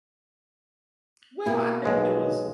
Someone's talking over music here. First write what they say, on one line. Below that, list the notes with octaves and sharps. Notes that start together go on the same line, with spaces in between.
Well, I think it was
B2 A#3 E4
B1 G#3